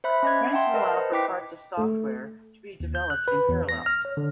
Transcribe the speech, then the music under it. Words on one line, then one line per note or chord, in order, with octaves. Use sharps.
Branches allow for parts of software to be developed in parallel.
C5 E5 B5 F#6
C#4 D#5 G#6
E5 F#5 G5 A5 C6
A#4 B4 D#5 A5
C5 D#5
E4 B4 G5 D6 B6
A3
D#2
G6
F#6
B4
E2
A#6
F6
C#5
D3